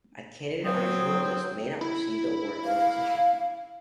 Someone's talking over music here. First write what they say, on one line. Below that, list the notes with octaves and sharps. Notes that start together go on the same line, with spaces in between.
A candidate on a short list may not receive the award or position.
F#3 C4 D#6
E4
F5